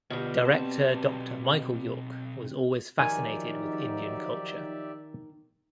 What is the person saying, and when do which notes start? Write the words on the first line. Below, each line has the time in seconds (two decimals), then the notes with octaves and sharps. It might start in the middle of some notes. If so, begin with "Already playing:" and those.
Director Doctor Michael Yorke was always fascinated with Indian culture.
0.10 D2 B2 G3 F4
0.46 B1 C4 G5 A5
2.99 D#3 F3 F#3 D#4 G4 D5 E5 G#5